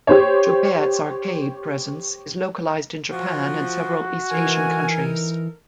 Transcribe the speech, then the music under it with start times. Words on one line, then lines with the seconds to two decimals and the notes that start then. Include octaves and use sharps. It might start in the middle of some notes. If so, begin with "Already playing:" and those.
Jubeat's arcade presence is localized in Japan and several East Asian countries.
0.07 G4 C5 C#5
3.12 F3 F#4
4.31 E3 D#4 A4 A#4 G#5